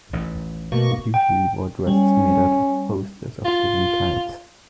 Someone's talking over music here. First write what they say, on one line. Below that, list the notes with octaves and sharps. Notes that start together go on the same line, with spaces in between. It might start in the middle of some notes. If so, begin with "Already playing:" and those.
She usually wore dresses made out of posters of different kinds.
A1 D#2
B2 A3 A#3 C#6
G5
G3 C#4
F4